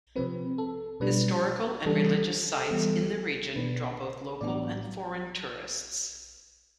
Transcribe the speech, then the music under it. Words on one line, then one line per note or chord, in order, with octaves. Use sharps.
Historical and religious sites in the region draw both local and foreign tourists.
C3 F3 C4 B4
A4
B2 G3 D4 B4
E3 G3 D4 A4
E3 G3 B3
B2 B3 D4 B4
A2 E3 B3 D4 D5